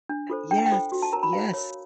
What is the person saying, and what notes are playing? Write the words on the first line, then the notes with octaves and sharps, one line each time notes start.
Yes, yes.
D4
F4 A4 C5
D4 G5
G#5
G5
F4 A4 C5
F#4
A5
A#4 C#5 A#5
B5
F#4 F5
A#4 C#5